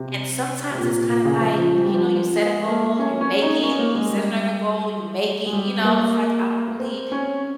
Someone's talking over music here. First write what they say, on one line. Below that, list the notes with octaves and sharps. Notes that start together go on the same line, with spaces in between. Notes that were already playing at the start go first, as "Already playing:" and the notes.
And sometimes, it's kinda, like, you know, you set a goal, you make it. You set another goal, you make it. You know, it's like, I don't really
Already playing: C3
C3
A#2
A#2
C#3
F3
F3
G3
G3
F3
F3
G#3
A#3
C#4
C#4
D#4
C#4
A#3
G#3
G3
G#3
G3
A#3
A#3
C4
C#4